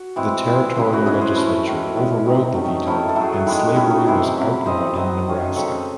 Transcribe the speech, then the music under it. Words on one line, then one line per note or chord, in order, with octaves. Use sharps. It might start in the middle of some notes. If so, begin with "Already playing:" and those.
The territorial legislature overrode the veto, and slavery was outlawed in Nebraska.
Already playing: F#4
E3 G#3 C4
E3 G#3 C4
C#3 E3 G#3 E4
F#4
E3 G#3 C#4 E4 G#4
G#4 C5
E3 A3 C#4 E4
A2 G#3 C#4
A2 G#3 C#4
C3 F#3 C4 D#4
D#3 A3 C#4
D#3 A3 C#4 E4
A4
A2 F#3 A3
G#4
F#4
D#3 G#3 C#4 E4
D#3 A3 C#4 E4
D#4 F#4
C3 E3 C4 E4 G#4
C3 F#3 C#4
E3 C4 C5 D#5
A2 F#3 C#4 C5 D#5
D#3 A3 C#4
C#3 G#3 C4 A4 C#5